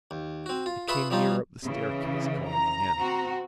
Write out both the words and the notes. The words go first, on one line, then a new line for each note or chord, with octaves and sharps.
It came nearer up the staircase, calling again.
D#2
C4 F#4
F4
F4 G#4 B4 E5 B5 C#6
F3 G3 C#4 D#4 F4
C#3 E3
A#5
C4 F#4